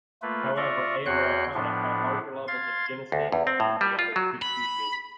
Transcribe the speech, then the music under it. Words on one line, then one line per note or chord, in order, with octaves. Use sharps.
However, "A. americana" had larger levels of genistein than the other two species.
A3 A#3 F4 B4
F4 D5 E5 A#5 C#6
E2 F#4 C#5 G5 C6 F#6
A2 F3 B3 D4
F5 C6 G#6 A6
D2
E2
C4
A2
G3
F4
F#3
B5